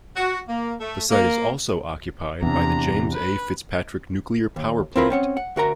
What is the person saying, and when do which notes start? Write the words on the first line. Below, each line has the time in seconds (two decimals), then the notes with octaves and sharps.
The site is also occupied by the James A. FitzPatrick Nuclear Power Plant.
0.16 F#4
0.49 A#3
0.80 A3
1.10 A#3
2.42 E2 C3 D4 A#5
3.13 B4
4.56 D#2
4.96 C4 E4 F4 A#4 B4
5.10 C4 C#4 F#5
5.37 F#5
5.56 D2 F#4 A#4 A#5